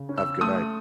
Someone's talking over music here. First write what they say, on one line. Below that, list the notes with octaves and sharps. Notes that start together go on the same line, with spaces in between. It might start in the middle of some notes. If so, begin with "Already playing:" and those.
Have a good night.
Already playing: C#3
C#4
E6
A3 D#6